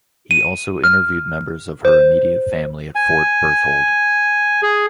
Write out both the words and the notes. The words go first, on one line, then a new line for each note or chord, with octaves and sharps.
He also interviewed members of her immediate family at Fort Berthold.
D#7
F6
C5
G#5
G#4